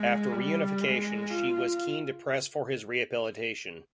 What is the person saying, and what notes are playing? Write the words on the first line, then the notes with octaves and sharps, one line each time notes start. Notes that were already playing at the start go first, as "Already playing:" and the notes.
After reunification she was keen to press for his rehabilitation.
Already playing: G#3
G3
G#3
F4